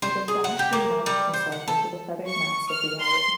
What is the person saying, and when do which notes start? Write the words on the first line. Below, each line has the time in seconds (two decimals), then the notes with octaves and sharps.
Like a flash he launched himself into the feathered mass of the owl.
0.02 C5
0.28 G#4
0.44 F#5
0.59 G4
0.73 A#3
1.06 G3
1.34 C5
1.52 F#5
1.68 A4
2.28 C#6
2.70 F6
3.01 C6